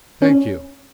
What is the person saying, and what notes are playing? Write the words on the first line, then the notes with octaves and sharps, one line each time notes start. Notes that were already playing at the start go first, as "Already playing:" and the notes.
Thank you.
C#4